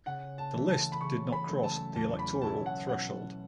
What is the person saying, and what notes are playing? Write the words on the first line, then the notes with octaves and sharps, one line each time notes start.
The list did not cross the electoral threshold.
C#3 F#5
A5
E3 A3
A5
B5
C#3 C#6
B5
F#3 A3 C#4
A5
E2 A5
B5
B2 F#3 C#4 E4 A5
F#5
B2 F#5